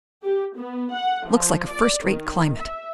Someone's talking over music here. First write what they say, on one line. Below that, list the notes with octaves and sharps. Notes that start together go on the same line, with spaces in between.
Looks like a first-rate climate.
G4
B3
F#5
F3
D5
D#3
E5